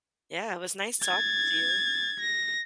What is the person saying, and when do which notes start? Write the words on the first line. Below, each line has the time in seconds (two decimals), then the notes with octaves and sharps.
Yeah, it was nice talking to you.
1.04 G#6 A6
2.19 A#6